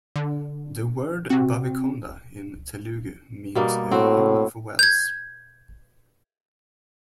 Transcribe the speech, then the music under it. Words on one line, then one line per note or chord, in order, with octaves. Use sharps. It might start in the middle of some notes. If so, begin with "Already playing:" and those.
The word "Bavikonda" in Telugu means "a hill of wells".
D3
C3 C4 F#4
B2 G3 A#3
A2 C4 F#4
G6 G#6